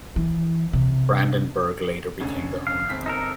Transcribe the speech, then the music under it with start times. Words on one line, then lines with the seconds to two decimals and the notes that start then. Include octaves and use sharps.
Brandenburg later became the owner.
0.16 E3
0.73 C3
2.20 F1 D3 C#4
2.67 F5
2.89 G1 C4 B6
3.06 D#4 A4 A#4